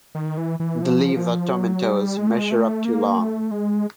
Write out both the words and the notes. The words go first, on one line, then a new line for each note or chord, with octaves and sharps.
The leaves are tomentose and measure up to long.
D#3
E3
E3
F3
F3
F#3
G3
G#3
A3
G#3
A3
A#3
A3
G#3